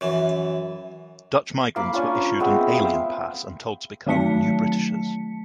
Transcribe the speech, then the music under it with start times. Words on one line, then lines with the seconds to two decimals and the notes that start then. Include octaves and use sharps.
Dutch migrants were issued an ‘Alien Pass’ and told to become ‘New Britishers’.
0.01 F#2 E3
1.76 A#3 F5 B5 D6
1.94 C#4 D4 F4 G#5
2.15 C#5
2.40 G#3 B3 C4 E5
2.73 E5 F5 G5
4.06 D#3 F#3 A3 A5 B6 C#7